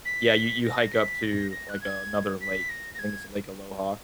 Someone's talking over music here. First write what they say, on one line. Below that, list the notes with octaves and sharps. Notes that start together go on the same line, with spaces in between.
yeah, you you hike up to, like, another lake. I think it's the Lake Aloha;
B6
A#6
B6
A#6
A#6
F#6
G#6
B6
A#6
A#6
G#6